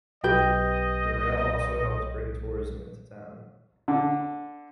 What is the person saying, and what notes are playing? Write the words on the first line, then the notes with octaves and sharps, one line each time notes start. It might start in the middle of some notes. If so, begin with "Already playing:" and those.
The rail also helped bring tourism to the town.
B1 G4 B4 D#5 G5 G6
D3